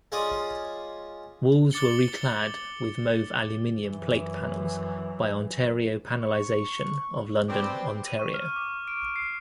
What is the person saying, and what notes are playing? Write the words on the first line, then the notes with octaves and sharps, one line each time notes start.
Walls were reclad with mauve aluminum plate panels by Ontario Panelization of London, Ontario.
G#3 C#4 F4 D5 D#6
D6 A6 C#7 F#7 G7
F#2 E3
C#6
B2 G3 C4 B4 C5 D6
D#7
C#6
F6
D6
D7
C7